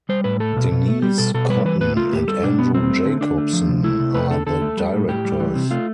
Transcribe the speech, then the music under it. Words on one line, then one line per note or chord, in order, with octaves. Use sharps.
Denise Cotton and Andrew Jacobsen are the directors.
G3 C5
A2 B4
A3 A4
B2
B2
A3
G3 G4
B2 A4
B2 A4
G3 B4
E3 B4
A2 B4
A3 F4
A2 G4
G3 A4
B2 D4
B2 B3
G3 C4
A3
D3
D3 D4
A3
F3
C3
A3 E4
C3
A3 B4
D3 A4
D3 A4
A3
G3
A2
A2 G4
G3
E3
C3
A3 F4